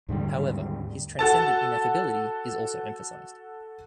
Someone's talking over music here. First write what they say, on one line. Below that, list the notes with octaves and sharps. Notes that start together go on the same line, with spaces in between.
However, his transcendent ineffability is also emphasized.
D#2 G#2 D3 G3
F#4 A4 A5